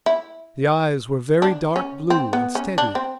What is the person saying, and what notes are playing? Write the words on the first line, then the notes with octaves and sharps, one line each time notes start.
The eyes were very dark blue and steady.
E4
D4
C#4
C4
B3
C#4
D4
C4